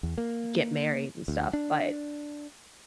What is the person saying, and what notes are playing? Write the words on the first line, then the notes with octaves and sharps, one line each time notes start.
get married and stuff, but,
E2
A#3
D2
D4